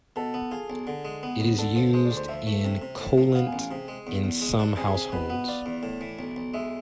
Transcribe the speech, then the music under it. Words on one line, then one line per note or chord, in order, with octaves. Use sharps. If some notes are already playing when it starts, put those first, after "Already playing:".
It is used in cholent in some households.
B2 A4
B3
F4 G#4
B1
D3
G#3
B3
D2
D3 A4
F3
G#3 C5
D5
D2
C5
F3 E5
A3
C3
C3
A2
F3
B3 F5
G#5
A1
F5
C3 G#4
G#3
E2
E2
G#3
D4
C3 G#4
C3
B2 B4
B3
F4 D5
E2
A2
E3
B1
B1
G#3 E5